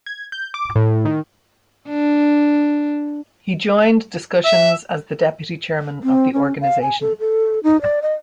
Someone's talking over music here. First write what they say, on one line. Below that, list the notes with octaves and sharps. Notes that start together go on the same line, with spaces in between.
He joined discussions as the Deputy Chairman of the organization.
G#6
G6
D6
A2
D#3
D4
E5
C4
C#4
F5
G#5
A4
A4
D#4
D5
D#5